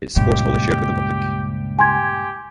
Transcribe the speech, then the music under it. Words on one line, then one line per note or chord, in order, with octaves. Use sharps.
Its sports hall is shared with the public.
C#2 G2 A#2 G4
G4 G#5 C6 G#6